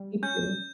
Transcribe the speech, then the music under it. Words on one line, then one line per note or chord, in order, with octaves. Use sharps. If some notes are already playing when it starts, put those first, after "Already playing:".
me too.
Already playing: G3
C#4 G6